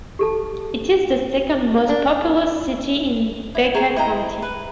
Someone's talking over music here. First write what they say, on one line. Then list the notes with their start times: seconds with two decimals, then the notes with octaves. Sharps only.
It is the second most populous city in Becker County.
0.19 G4 A4 A5
1.89 D4
3.55 E4
3.75 G#4 C#5 G5 A#5
3.96 E4 D#5 G5 A#5
4.42 B4